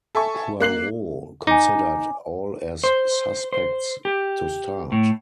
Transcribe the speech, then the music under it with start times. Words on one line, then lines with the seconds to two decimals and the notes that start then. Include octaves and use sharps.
Poirot considered all as suspects to start.
0.15 A4 E5 G#5 C#6
0.60 A#3 F#6 C7 F#7
1.47 D#4 G#5 D6
2.84 C5
3.53 C5
4.05 G4
4.92 A2